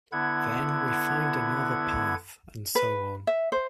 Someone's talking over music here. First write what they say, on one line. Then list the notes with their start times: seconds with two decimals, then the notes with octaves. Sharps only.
Then we find another path, and so on.
0.12 D3 B3 E4 F#5 G#6
2.75 B4
3.27 E5
3.52 C5